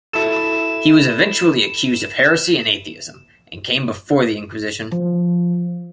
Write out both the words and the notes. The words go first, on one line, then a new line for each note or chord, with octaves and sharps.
He was eventually accused of heresy and atheism, and came before the Inquisition.
E4 F#4 A4 E7
F3